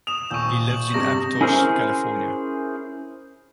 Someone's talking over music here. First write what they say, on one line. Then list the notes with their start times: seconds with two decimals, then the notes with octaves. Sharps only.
He lives in Aptos, California.
0.07 D#6 E7 F7
0.30 D#1 A#2 C#6 E6 G6 D#7
0.70 F#7
0.94 G2 C3 A#6
1.41 C#4 E4 G#4 A#4 C5